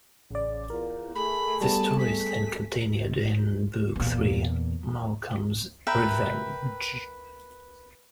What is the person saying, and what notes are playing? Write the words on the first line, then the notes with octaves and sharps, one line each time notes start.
The story is then continued in Book Three: Malcolm's Revenge.
A1 C#3 D5
E2 F4 A#4
A3 G#4 B5
G3 B3 A5
B6
E2 A#2
A#4 B4 E5 G5